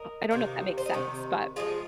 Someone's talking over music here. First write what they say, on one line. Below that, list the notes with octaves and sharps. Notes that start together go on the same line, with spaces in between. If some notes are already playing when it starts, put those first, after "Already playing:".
uh, I don't know if that makes sense, but
Already playing: A#4 D#5
C3 D#3 A#3
C5
D#5
C3 D#3
F3 G#3 F4 G#4